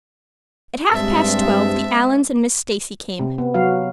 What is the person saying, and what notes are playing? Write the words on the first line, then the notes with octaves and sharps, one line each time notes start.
At half past twelve the Allans and Miss Stacy came.
G2 G#3 C4 E5 A5
C3
B3
F#3 F#4 F5